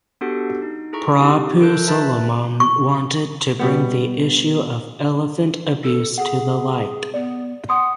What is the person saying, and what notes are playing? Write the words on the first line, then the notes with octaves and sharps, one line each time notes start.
Prabhu Solomon wanted to bring the issue of elephant abuse to the light.
B3 D4 F#4 G4 A4 F#5
D#4
E4 G#4 A4 A#5 C#6
C4 D#4 G4
E4 A4 A#4 A5 F#6 G6
B4 E5 A5 B5 F#6 A6
C#6
B2 G3 B3
A4
G#4 F#5
B3 D5
F#5 C6 D#6